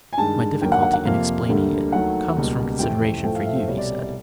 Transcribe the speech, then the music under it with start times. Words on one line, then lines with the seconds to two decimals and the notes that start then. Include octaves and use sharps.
"My difficulty in explaining it comes from consideration for you," he said.
0.13 G#5
0.17 G2 D#3 G#3 A5
0.61 D#2 D3 F#3 A#3 G5
0.72 F#5
0.83 F#5
0.94 F#5
1.05 F2 C3 F3 A#3 F5
1.49 D2 D3 G3 A#3
1.92 D#2 D#3 F#3 A3 F#5
2.37 C#2 B2 G3 A#3
2.79 F2 C3 E3 A3 G5
3.23 A2 F3 A3 G5
3.35 F5
3.45 E5
3.55 C5
3.67 C2 B2 G3 C#5
3.78 D5
3.99 D5